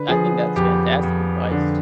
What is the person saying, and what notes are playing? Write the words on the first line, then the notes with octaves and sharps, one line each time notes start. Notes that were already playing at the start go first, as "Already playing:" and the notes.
I think that's fantastic advice.
Already playing: D3 B4
F3 G#4
F2 G4
F2
D3